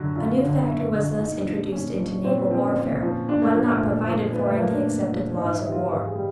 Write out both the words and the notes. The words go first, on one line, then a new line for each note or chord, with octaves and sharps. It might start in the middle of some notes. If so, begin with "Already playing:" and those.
A new factor was thus introduced into naval warfare, one not provided for in the accepted laws of war.
Already playing: F#2 D3 F#3 F#4
F#2 F4
D3 F#3
F#2 E4
D3 F#3
A#2 D#4
D4
F3
A#2 C#4
F3
A#2 C4
B3
F3 C4
C#4
A#2
F3
A#2 D4
A#3
F3 A#3
A3
A#2
F3
A#2 B3
A3
F3 A#3
D4
A#2
F3
G#2 D#4
E4
E3 G3
F4
G#2
G#4
G3